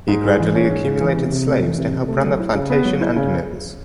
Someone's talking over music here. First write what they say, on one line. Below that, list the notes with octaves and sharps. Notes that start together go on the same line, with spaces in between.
He gradually accumulated slaves to help run the plantation and mills.
G#2
G#3
E3
C#4
G#2
G#3
E3
C3
C3
A3
E3
C3
C3
A3
F#3
E4
C#3
B3
F#3
E4
C#3